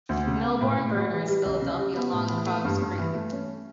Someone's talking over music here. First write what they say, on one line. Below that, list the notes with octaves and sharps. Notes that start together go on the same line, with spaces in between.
Millbourne borders Philadelphia along Cobbs Creek.
D2
C#3
B3
A2
A2
F#3
E3
G3
C#2
C#3
G3
B3
A2
E3
A3
G2
G2
E3
A3
C#4